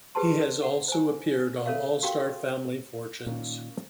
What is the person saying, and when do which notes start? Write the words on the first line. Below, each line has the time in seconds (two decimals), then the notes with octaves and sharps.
He has also appeared on "All Star Family Fortunes".
0.15 G4 G#4 B4 C5 A5 C6
0.63 F#5
0.88 C5 G#5
1.66 A4 A#4 C#5 E5 F5
2.03 F#4 G4 A#4 F5 G5 C6
3.26 A#2 D#3 A#3 C#4